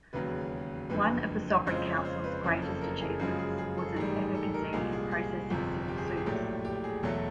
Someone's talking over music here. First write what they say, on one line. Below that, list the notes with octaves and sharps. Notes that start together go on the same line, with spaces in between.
One of the Sovereign Council's greatest achievements was its efficacy in processing civil suits.
E1 D#2 C#3 F#3 B4
F#1 F2 D3 B4
F2 C#3 F3 G#3 C5
C#5
C5
B4
F#1 F2 C#3 F3
A4
A#4
G#4
F#2 C#3 F3 G#3 G#4
G#4
G#4
A4
A1 G#2 D#3 G3 G#4
G#4
A4
A#4
C2 A#2 F3 G#3 G#4
G#4
G#4
G1 F2 C3 F3
G4
G#4
G4
G#4
A#1 A2 F#3 A3 G4
G4
G#4
E1 E2 B2 F#3 A3 A4